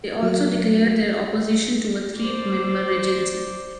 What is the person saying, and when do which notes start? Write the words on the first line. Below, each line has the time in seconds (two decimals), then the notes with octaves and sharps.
They also declared their opposition to a three-member regency.
0.23 F#3
2.20 C5 D5